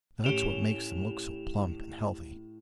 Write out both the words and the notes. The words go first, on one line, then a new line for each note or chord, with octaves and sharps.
That's what makes them look so plump and healthy.
A2 C#4 G4 E7 F7